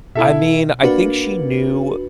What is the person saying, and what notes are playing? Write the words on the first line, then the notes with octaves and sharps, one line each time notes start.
I mean, I think she knew
B2 E4 A4 E5
A#3 D4 F#4 B4